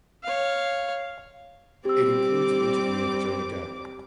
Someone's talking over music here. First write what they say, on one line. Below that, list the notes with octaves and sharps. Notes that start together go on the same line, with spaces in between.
It includes an interview of Johnny Depp.
C#5 F5
G3 C4 G4 D6 E6